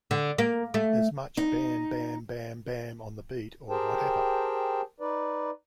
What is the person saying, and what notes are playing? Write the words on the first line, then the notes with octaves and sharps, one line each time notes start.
As much 'bam-bam-bam-bam' on the beat or whatever.
D3
A#3
A3
D#4
G4 G#4 A#4 C5 G5 A5
D#4 B4 D5